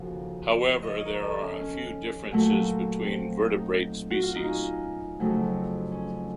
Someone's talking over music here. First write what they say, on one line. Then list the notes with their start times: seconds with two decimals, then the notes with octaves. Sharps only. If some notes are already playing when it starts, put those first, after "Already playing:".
However, there are a few differences between vertebrate species.
Already playing: D#2 C#3 F3 F#4 A4
0.83 D#5
0.88 C#5
1.05 A#4
1.24 A4
1.42 C#4
1.60 C#4
2.32 A#2 F#3 A3
3.04 C4
3.52 D#4
4.10 F#4
4.22 F4
4.36 D#4
4.48 C#4
5.20 F2 C#3 F#3 A3
5.92 C#4